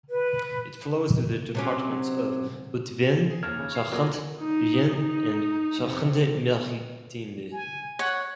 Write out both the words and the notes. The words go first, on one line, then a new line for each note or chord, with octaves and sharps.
It flows through the departments of Haute-Vienne, Charente, Vienne and Charente-Maritime.
B4
C3 F#3 C#4
G#4
D#2 A#4 C#5 A5 F6 G#6
C#3
C#6 C7
C#3 F#3 A#3 F4 F#4 D5
D#4
D#4
C3
G#5
C#5 F#5